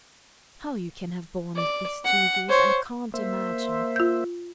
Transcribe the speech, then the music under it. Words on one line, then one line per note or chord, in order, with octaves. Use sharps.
How you can have borne it this two years I can't imagine.'
D5
F#5
C5 C#5
A#3 C5 E5
F4 G6